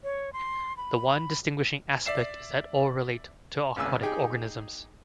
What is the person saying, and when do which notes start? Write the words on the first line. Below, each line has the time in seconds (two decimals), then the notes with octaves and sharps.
The one distinguishing aspect is that all relate to aquatic organisms.
0.04 C#5
0.33 C6
0.77 B5
2.06 D5 E5 C7 E7
3.76 G#1 C#2 G#5 E6
4.03 D#4 G4 G#4 G5